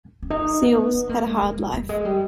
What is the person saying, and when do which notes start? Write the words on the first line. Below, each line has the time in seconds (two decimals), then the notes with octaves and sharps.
Seals had a hard life.
0.23 C#4
0.30 D#4
0.62 B3
0.94 B3
1.09 A#3
1.26 G#3
1.42 G#3
1.74 G3
1.89 G#3
2.05 G3